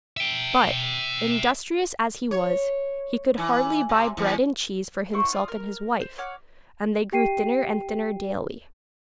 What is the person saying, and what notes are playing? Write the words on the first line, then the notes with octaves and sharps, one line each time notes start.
But, industrious as he was, he could hardly buy bread and cheese for himself and his wife, and they grew thinner and thinner daily.
E5 G5
C#5
E3
C3
E2
E4 F#4 C5 C#6
F4 D5 D#6
A#4 F6
C5
C#5 F#5 D6 F6
G4 G5 C7 D#7